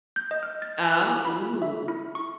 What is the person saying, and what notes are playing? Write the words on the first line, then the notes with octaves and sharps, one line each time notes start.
Oh Ooh.
G6
D#5
F6
A6
A5
E4
B5
F4
E5
E4
C#6